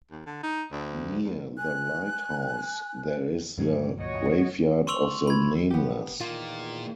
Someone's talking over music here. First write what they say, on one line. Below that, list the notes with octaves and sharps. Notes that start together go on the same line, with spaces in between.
Near the lighthouse there is the "graveyard of the nameless".
D#2
D3
D#4
D2
E2
G#5 F#6
G2 B2 D#3 F#3 G#3 A3
C#2 F#2 A#2 F#4 C#5 D#5
C6 C#6 E6 F7 F#7
B5 G#6
B3 G4
E2 A#2 D#3 A#3 F4